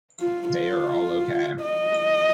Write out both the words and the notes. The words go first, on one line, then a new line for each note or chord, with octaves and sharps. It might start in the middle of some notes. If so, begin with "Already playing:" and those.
They are all OK.
F4
F4
D#5